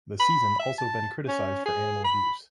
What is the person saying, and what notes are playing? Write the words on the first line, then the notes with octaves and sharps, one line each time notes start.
The season also been criticized for animal abuse.
B5
E5
A5
C#4
G#4
B5